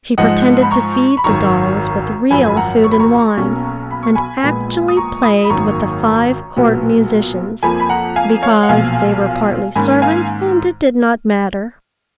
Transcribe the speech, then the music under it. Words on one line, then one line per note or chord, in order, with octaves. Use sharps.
She pretended to feed the dolls with real food and wine, and actually played with the five court musicians, because they were partly servants and it did not matter.
G#2 F3 G#3 D#5 F#5
B5
A#5 C#6
B5
G#1 F#2 D#3 F#3 A#5 C#6
G#1 F#2 F3 G#5 B5
B5
F#5 A#5
C#6
B5
A#5 C#6
B1 B2 F#3 A#3 C#4
B5
C#6
G#5 B5
A#1 A#2 G#3 B3
D#6
A#5 C#6
B5 D#6
B5
G#1 F#2 D#3 A#3 A#5 C#6
B1 A#2 F#3 B3
F2 F3 A#3 G#5 B5
B5
F#5 A#5
F5 G#5
C#5 F5
F#5
B1 A#2 F3 F5 G#5
G#2 D#3 A#3 C#4 G#5 B5
F5 G#5